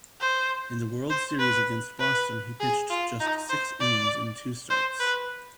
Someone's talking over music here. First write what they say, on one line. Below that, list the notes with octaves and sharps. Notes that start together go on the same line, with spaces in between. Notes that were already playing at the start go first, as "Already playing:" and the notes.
In the World Series against Boston, he pitched just six innings in two starts.
C5
C5
B4
B4
G#4
F4
D#4
C5
D5
C5
B4